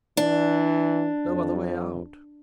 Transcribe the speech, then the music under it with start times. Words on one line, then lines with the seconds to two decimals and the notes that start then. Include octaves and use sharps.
No other way out.
0.17 E3 D4
1.26 F2